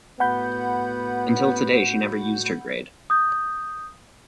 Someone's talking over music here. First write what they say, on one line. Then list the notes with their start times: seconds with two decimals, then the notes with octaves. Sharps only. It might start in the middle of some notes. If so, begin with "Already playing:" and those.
Until today she never used her grade.
0.20 A2 B3 F#4 F#5 B5 G6
3.10 D#6 G6